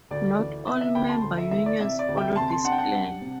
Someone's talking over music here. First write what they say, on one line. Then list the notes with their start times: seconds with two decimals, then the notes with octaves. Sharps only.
Not all Member Unions follow this plan.
0.11 D2 D5
0.39 E3
0.67 C3 E5
0.81 E5
0.95 D2 G5 B5
1.09 A5 C6
1.23 D2
1.38 E5
1.51 E3 E5
1.66 D5
1.80 C3 E5
1.99 D5
2.08 D2
2.17 E5 G5
2.36 C3 A5 C6
2.50 A5 C6
2.64 D4 F#5 A5
2.72 G5
2.78 F#5 A5
2.92 G3
3.21 C3